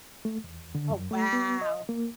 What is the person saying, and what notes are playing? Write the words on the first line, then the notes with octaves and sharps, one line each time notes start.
Oh wow,
A3
E2
D3
F#2
A3
B3
D#5
A#3